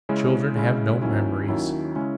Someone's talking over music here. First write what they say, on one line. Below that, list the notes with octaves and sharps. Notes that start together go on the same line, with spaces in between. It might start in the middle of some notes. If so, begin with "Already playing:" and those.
Children have no memories.
C#3 G#3 C#4 E4
C#3 G#3 C#4 E4
D#2 D#3 F#3 C#4 E4
D#2 D#3 F#3 C#4 E4
C#3 G#3 C#4 E4